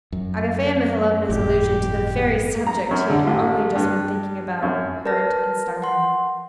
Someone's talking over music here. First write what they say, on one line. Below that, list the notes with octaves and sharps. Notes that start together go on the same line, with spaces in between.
Agafea Mihalovna's allusion to the very subject he had only just been thinking about, hurt and stung him.
F#2
G1 F2 A2 G4
A#5
F#2
D3
A1
G2
F#2
A#4 B4 A5 F6 A#6
F#5 C6